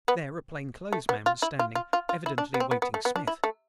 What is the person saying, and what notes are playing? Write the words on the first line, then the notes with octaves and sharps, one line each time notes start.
There a plain-clothes man was standing, evidently awaiting Smith.
B3
A3
B3
F4
E4
F4
F4
F4
F4
E4
D4
B3
C4
B3
B3
A3
B3
D4
E4
A3